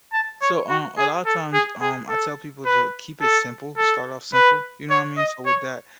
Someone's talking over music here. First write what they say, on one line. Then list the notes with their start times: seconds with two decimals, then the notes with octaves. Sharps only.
So, um, a lotta times, um, I tell people ju "Keep it simple. Start off simple." You know what I mean? So with that,
0.13 A5
0.42 C#5
0.69 F#4
0.98 G#4
1.26 A4
1.53 G#4
1.81 G#4
2.09 A4
2.65 B4
3.21 A4
3.77 A4
4.33 B4
4.90 C#5
5.17 D#5
5.46 C#5